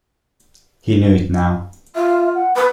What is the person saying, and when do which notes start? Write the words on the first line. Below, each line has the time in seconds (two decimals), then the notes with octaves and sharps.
He knew it now.
1.95 F4 E5
2.35 F#5
2.56 B4 B5